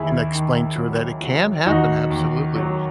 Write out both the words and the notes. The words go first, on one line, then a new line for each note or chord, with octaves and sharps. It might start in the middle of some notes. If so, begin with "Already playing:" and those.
and I explained to her that it can happen, absolutely,
Already playing: D#2 E4 G#4
D#3
F#3
F#3
D#2 D#4 F#4
D#2
F#3